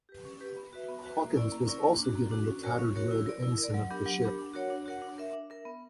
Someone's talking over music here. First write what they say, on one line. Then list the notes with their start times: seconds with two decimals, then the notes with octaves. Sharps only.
Hawkins was also given the tattered Red Ensign of the ship.
0.09 G4 B4
0.25 C#4
0.41 G4 B4
0.57 B3
0.73 F#4 B4 E5
0.88 B3
1.03 F#4 B4 E5
1.19 A#3
1.36 C#4 E4 A#4 D5
1.52 A#3
1.67 C#4 E4 A#4 D5
1.84 A#3
1.99 D4
2.04 F#4
2.16 A#3
2.31 D4 F#4
2.48 C#4
2.63 F#4 A#4 C#5
2.79 C#4
2.95 F#4 A#4 C#5
3.11 E4
3.26 A#4 D5
3.43 E4
3.58 A#4
3.63 D5
3.74 F#3
3.90 B3 D4 G4 A#4
4.06 F#3
4.22 B3 D4 G4 A#4
4.39 D4
4.53 F#4 A#4 C#5 F#5
4.70 D4
4.86 F#4 A#4 C#5 F#5
5.02 D4
5.18 A#4 E5
5.33 D4
5.50 A#4 E5
5.65 B3